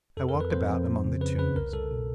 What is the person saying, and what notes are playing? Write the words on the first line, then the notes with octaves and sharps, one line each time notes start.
I walked about among the tombs.
F2 A4
A#4
F2
B4
F2 C5
F2
F2
C#3
C#3 B4
C#3 B4
C2 A#4
C2 A4
B2